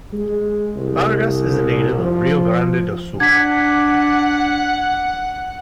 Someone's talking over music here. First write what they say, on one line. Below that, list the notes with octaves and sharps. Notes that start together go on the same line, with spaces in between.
Vargas is a native of Rio Grande do Sul.
G#3
C2
F3
D4 F#5 G#6 B6